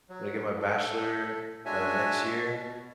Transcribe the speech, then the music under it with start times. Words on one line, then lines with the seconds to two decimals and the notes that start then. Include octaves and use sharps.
I'm gonna get my bachelor, uh, next year
0.10 F#3
0.61 A4
1.65 G#3 D4 F#4 C#5 E5 G#5
2.42 B2